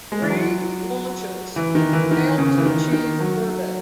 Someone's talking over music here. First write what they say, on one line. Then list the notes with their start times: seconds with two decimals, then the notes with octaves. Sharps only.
Three launches failed to achieve orbit.
0.12 G#3
0.22 E3
0.30 F#3
1.56 E3
1.75 D#3
1.93 E3
2.11 D#3
2.38 C#3
2.58 E3
2.65 D#3
2.93 D#3
3.20 F#3